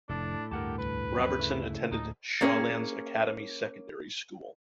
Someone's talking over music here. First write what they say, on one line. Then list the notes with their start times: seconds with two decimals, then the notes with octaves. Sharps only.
Robertson attended Shawlands Academy Secondary School.
0.09 F1 A2 D4 E4 A4
0.51 D2 G2 G4 A#4 F#5 A5
0.78 C2 B4
1.12 F3 F#3 C4
1.39 C#3 A3 E4
1.92 D2 A2 D#4
2.41 A#3 C#4 G#4